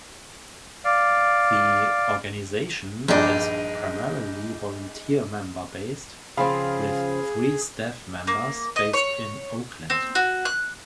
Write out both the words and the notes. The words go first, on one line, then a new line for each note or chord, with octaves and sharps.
The organization is primarily volunteer member-based, with three staff members based in Oakland.
D5 F5
A#1 G2 D#4 G#4 D5
C#3 F3 C4 G#4 F5 B5
A#3
D#5
C#5
C4
F#4
F#6